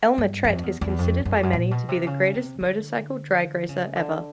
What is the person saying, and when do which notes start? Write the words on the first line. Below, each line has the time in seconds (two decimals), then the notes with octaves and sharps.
Elmer Trett is considered by many to be the greatest motorcycle drag racer ever.
0.18 G2
0.44 F2
0.63 E2
0.81 E2
0.98 F2
1.25 F#2
1.34 F2
1.43 F#2
1.53 A#2
1.71 B2
1.89 C3
2.07 C#3
2.34 C3
2.61 D3
3.69 C#3
3.96 D3